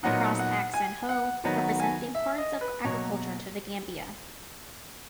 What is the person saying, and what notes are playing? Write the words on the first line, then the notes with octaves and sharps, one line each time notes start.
The crossed axe and hoe represent the importance of agriculture to The Gambia.
A#2 F#3 B3 D#4 F#5
F#5
G#5
F#5
D#3 F#3 B3
G#5
E5
D#5
B4
B2 F#3 A#3 C#5